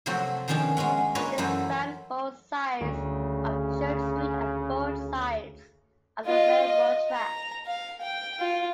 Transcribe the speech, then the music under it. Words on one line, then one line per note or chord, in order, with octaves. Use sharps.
It spanned both sides of Church Street and both sides of the railroad tracks.
C3 F3 F#3 A3 C4 F#4
B2 D#3 F3 C#4 D4 G#4
G#3 B3 C#4 F#5
A#3 D4 F4 B4 C#5 D#5
F#2 E3 F#3 A3 B4 C5
D2 C#3
F4 D#5
D#5
A#5
F5
G5
F4